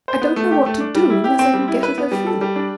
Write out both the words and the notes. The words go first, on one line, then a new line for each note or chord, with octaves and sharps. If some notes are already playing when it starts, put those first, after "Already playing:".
"I don't know what to do, unless I can get at her feeling."
C5
B3
A3
G4
A3
D4
G3
E4
G4
C4
G3
E4
B4
B3
G3
A4
G3
D4